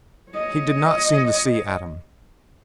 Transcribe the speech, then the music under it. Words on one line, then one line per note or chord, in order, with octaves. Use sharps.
He did not seem to see Adam.
C#5 D#5